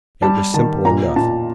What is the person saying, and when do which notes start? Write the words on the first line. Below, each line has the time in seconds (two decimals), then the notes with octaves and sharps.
It was simple enough.
0.22 G3 A5
0.54 D#3 A5
0.85 A#2 A#5
1.16 A#2 A5